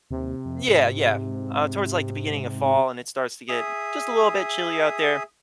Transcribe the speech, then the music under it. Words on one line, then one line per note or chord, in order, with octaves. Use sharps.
Yeah, yeah, uh, towards, like, the beginning of fall, and it starts to get just a little bit chilly out there.
D#2 C3
F2
G#2
G#4 E5 D#6